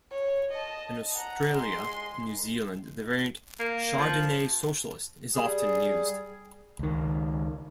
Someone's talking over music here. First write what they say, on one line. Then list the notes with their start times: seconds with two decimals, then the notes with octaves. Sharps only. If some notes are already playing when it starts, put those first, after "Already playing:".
In Australia and New Zealand, the variant "Chardonnay socialist" is often used.
0.11 C#5
0.52 D#5 A5
1.16 F#5 A#5
1.53 G#3 C6
3.59 A#3
3.99 F3
5.34 G3 G#4
6.79 C#2 D#3